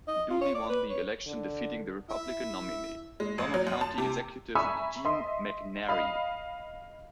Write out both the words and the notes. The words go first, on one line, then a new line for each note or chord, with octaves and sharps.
Dooley won the election defeating the Republican nominee, former County Executive Gene McNary.
D#5
F4
C#5
D5
B4
C#5
D3
E4 E5
G#3
A1
F#3
F#2
A5
C3
E5 G#5 A#5 B5 C#6 E6
D#5 E5 C6
D#5 F5 B5